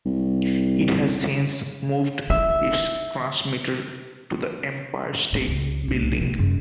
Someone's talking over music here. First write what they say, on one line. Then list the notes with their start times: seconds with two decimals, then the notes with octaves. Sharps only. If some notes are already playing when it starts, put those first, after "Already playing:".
It has since moved its transmitter to the Empire State Building.
0.06 C2
2.30 E4 E5
5.33 A2
5.47 C#2
5.88 C2 A2
6.18 F1 C3
6.38 F#2 G#3